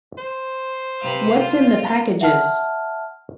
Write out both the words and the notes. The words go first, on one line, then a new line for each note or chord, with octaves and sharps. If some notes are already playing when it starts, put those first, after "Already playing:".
What's in the packages?
C5
C3 B4 F5
F4
E5 F#5 A5 F6